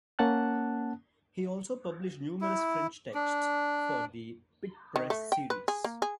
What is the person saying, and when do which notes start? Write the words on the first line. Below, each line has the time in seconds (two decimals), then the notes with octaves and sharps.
He also published numerous French texts for the Pitt Press series.
0.19 A#3 C#4 F#5 A5 F#6
2.41 E4
3.14 D4
4.96 D#3
5.10 A3
5.32 G5
5.50 B4
5.68 G#4
5.84 A#3
6.02 G#4